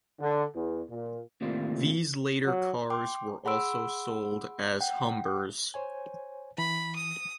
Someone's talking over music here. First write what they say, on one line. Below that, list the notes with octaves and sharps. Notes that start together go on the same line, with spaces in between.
These later cars were also sold as Humbers.
D3
E2
A#2
D#2 A2 C3 F4 D5
F#3
G5 C6 D6
G#4 F#5 B5 C6 E6 D7
F#5 G5
C5 C#5 G#5
E3 B5
D#6